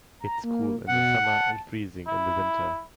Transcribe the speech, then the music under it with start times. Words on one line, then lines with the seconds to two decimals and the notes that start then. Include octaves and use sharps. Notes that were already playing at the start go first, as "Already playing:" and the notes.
It is cool in the summer and freezing in the winter.
0.20 A#5
0.44 A#3
0.88 B2 F#5
1.23 A5
2.07 E4